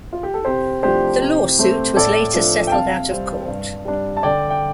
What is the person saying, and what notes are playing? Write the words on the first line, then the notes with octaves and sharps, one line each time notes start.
The lawsuit was later settled out of court.
F4
G4
A4
C3 G4 C5
F3 A3 D4 G4 C5
C3
A3 C4
A2 A4 D5
F3 A3 D4
G5
C3 F5 A5
G3 C4
G2
G3 D4
A5
D3 D5 G5
G5